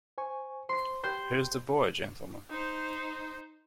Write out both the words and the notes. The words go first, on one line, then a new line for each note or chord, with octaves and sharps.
Here's the boy, gentlemen!
C5 G#5 C#6
C5 C6 C7
G4 C5 G5 B5 C6 G6
D#4 C5